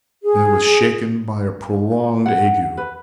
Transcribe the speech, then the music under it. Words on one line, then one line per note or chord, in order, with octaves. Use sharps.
Then it was shaken by a prolonged ague.
G#4
F#5
B4